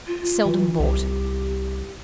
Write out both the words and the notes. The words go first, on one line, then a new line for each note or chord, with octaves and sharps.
Seldom bought.
F4
E3
C2 G4